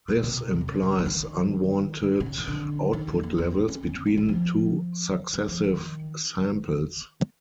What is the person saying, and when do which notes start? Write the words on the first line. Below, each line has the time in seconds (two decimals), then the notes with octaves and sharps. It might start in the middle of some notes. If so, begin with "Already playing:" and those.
This implies unwanted output levels between two successive samples.
0.08 B2
0.23 C3
0.53 D#3
0.61 D3
0.68 C#3
0.83 C#3
0.99 D#3
1.06 D3
1.14 D#3
2.03 D3
2.20 C3
2.26 C#3
2.38 D#3
2.48 D3
2.93 D#3
3.08 G#3
3.23 A#3
3.38 C4
3.68 C#4
3.83 C4
3.95 B3
4.06 A3
4.17 G3
4.29 F3
5.33 F#3
5.48 F3
5.64 D#3